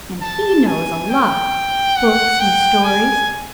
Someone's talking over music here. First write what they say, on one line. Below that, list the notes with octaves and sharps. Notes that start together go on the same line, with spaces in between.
And he knows a lot--books and stories!
A5
G#5
G5
F#5
G5
G#5